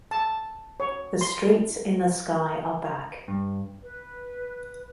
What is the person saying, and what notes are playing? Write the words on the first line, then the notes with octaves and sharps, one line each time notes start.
The streets in the sky are back.
A5
C#5
C6
G2
B4